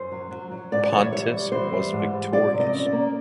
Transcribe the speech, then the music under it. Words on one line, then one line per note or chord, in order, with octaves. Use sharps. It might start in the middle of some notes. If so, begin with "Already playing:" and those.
Pontus was victorious.
Already playing: F#2 C5
F#3
F#3
F#3
G#2 D5
E3 C#5
G3 C#5
G3
E3 C5
G3
G#2
G3
F3 D5
C3
D#5
C#4
D5
A#3